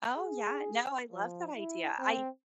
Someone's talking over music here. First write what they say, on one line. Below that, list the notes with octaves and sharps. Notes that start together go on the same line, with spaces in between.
Oh, yeah, no, I love that idea. I
G#4
F3
E4
C4